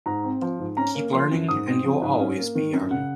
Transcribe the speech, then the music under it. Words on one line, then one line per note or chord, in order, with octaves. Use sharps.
Keep learning and you'll always be young.
G#2 A#5
C4
F3
G#2
C#4 A#5
A#3
F3 C6
F#2
G#2 D#6
C4
F3
G#2
C#4
A#3
D#3
F#2
C#3 F#5